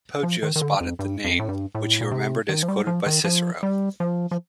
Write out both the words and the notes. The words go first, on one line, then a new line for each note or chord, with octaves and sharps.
Poggio spotted the name, which he remembered as quoted by Cicero.
F3
D#3
D#3
D3
F2
G2
F2
A2
G2
A2
A#2
C3
D#3
F3
G3
F3
D#3
F3
G3
F3
F3